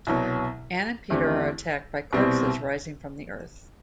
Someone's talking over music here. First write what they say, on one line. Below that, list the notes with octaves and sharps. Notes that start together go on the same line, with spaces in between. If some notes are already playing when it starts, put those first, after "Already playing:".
Anne and Peter are attacked by corpses rising from the earth.
C2 B2 F#3
E2 D3 A3 C4 G4
C2 B2 G3 C4